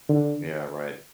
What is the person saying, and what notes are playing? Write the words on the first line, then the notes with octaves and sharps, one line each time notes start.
Yeah, right.
D3